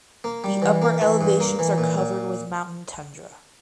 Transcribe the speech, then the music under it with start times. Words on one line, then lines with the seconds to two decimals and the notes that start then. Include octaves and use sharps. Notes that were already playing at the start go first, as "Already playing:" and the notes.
The upper elevations are covered with mountain tundra.
0.24 A#3
0.44 G3
0.62 E3
0.82 A#3
1.01 E3
1.21 G2
1.40 A#3
1.59 E3
1.78 A#2
1.98 A#2